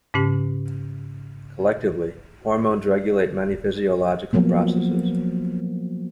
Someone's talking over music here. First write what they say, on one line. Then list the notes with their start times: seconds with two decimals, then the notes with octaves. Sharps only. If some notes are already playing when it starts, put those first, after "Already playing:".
Collectively, hormones regulate many physiological processes.
0.14 G#2 C#3 C#4 G4
4.33 F3 F#3 A#3 B3